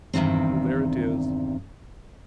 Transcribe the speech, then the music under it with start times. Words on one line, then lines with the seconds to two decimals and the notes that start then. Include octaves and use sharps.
Well, there it is.
0.13 E2 G2 C3 D#3 C4